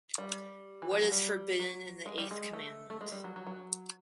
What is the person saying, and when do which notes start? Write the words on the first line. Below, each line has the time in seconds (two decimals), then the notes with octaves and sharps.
What is forbidden in the eighth commandment?
0.18 G3
0.82 E3
0.91 F3
1.02 F#3
1.11 G3
1.60 F#3
2.06 G#3
2.18 G3
2.31 G#3
2.53 A3
2.90 A3
3.01 G#3
3.12 G3
3.24 F#3
3.36 F#3
3.47 F#3